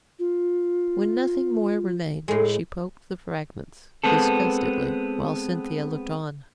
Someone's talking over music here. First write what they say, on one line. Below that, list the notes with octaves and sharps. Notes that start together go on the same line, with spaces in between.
When nothing more remained, she poked the fragments disgustedly, while Cynthia looked on.
F4
A2 G#3 A4
G#3 B3 C4 A4